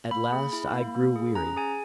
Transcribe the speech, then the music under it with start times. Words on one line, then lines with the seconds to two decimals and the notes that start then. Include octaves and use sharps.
At last I grew weary.
0.11 A#3 B5
0.32 G#4
0.53 E4
0.73 A#3
0.95 A#3
1.16 G#4
1.35 C#4 A#5
1.57 G#4 G#5